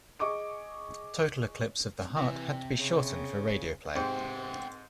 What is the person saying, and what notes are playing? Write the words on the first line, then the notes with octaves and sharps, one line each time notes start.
"Total Eclipse of the Heart" had to be shortened for radio play.
G#4 D#5 C#6 D6 D7
C3 E3
C#3
G#2 C3 B3 C4 G5